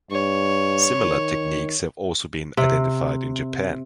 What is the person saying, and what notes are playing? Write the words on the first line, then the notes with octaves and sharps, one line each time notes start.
Similar techniques have also been identified in Japan.
G2 C#5
D#3
C3